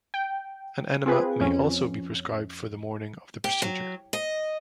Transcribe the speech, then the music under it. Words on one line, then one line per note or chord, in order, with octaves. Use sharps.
An enema may also be prescribed for the morning of the procedure.
G5
C4 F4 G#4 B4
F2 C#4
G4
F#3
D#5